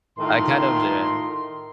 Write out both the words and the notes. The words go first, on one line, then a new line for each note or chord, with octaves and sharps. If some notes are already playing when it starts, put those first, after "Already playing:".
I kind of d
A2 D#3 F4 A#4 C6